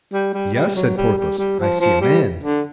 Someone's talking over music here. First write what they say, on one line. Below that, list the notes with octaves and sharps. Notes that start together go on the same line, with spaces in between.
"Yes," said Porthos; "I see a man."
G3
G3
G3
F#3
G3
G3
G3
F3
F3
G3
D3